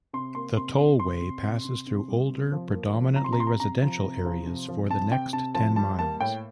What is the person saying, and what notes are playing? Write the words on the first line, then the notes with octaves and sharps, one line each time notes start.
The tollway passes through older, predominantly residential areas for the next ten miles.
C3 C6
A#3 C6
C3 C6
C3
C3 C6
C3
C3
C3
C3
G3
C3
F3
A#3
F3
C3 A#5
C6
A#5
C3 C6
A#5
C3 A#5
F3
C3
F3
C3
F3
C3 A5
C3 G5
C3 A5
F3 A5
G3 A5
A#3 A5
A2 G5